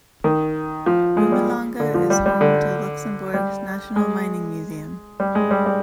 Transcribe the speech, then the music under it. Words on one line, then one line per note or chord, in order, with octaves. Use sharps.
Rumelange is home to Luxembourg's National Mining Museum.
D#3
F3
G#3
G3
D3
F3
G3
G3
D3
G3
G#3
G3
G#3
G3
G3